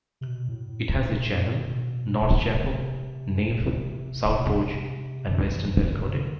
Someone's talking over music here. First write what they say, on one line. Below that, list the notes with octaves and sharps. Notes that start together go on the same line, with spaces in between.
It has a chancel, north chapel, nave, south porch and western bellcote.
C3
B2
A2
A2
A2
B2
C3
C3
D3
F3
E3
C3
D3